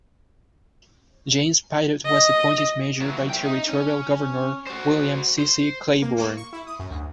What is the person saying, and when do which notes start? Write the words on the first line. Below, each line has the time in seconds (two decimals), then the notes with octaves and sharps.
James Pitot was appointed mayor by Territorial Governor William C. C. Claiborne.
2.06 D#5
3.01 E3 F#3
3.30 E5 G5
3.46 D#4
3.69 C#4
4.67 F#4 C5
5.39 C5
6.02 A#3
6.18 A#3
6.37 C#6
6.53 E4
6.67 D#6
6.79 F#2
6.91 D2